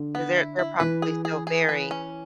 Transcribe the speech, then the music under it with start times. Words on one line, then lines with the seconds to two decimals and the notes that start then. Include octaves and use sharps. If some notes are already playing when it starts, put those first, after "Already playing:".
'Cause they're they're probably still very
Already playing: D3
0.15 B3
0.36 E4
0.59 E4
0.80 E3 B4
1.02 G#4
1.25 G#4
1.47 G#4
1.69 B4
1.91 C#4